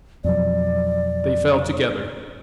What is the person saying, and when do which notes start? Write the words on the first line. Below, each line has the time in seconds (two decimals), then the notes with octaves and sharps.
They fell together....
0.24 F2 B2 F#3 D5